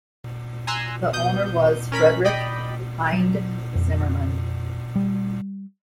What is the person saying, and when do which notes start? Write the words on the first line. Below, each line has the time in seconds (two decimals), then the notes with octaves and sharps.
The owner was Frederick Hinde Zimmerman.
0.67 G#5 A#5 C6 E6 F#6
1.13 B2 D#6 G6
1.92 C#4 A#4 B5 B6
2.25 D5 D#5 G5 B5
3.13 F#3
3.75 F2
4.96 G3